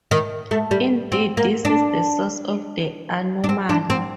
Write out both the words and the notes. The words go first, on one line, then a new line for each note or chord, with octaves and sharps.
Indeed, this is the source of the anomaly.
D#3
A3
G3
C4
A#3
D4
D4
C4
D4
C4